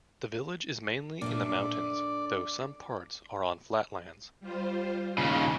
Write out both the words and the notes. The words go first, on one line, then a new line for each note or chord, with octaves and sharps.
The village is mainly in the mountains, though some parts are on flatlands.
A#2 D4 A4 D5 E5
D5
G3 F4 C5
D#2 C#3 G#5 A5